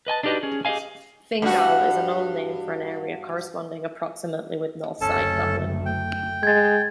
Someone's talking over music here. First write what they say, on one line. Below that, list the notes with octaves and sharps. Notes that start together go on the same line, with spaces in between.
Fingal is an old name for an area corresponding approximately with Northside Dublin.
B4 D#5 G#5 A5
D4 D#4 F#4 G4 B4 D#5
C#4 G#4
G4 G#4 D5 D#5 F5 G#5
G2 F#4
F#1 D2 A3 C#4 A4 A5
G5
G#3 G#6 A6